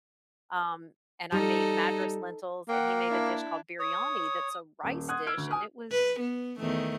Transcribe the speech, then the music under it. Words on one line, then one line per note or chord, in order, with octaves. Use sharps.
Um, and I made Madras lentils, and he made a dish called biryani that's a rice dish, and it was
G3 D#4 A4
A#3 F#5 G5
D4 E4
C#5 D#6
D#1
F#5 C6 D#6 F#6 G#6
E6 F6 G#6 D7
D2
G#5 D#6
B4
B3
E2 D#3 A3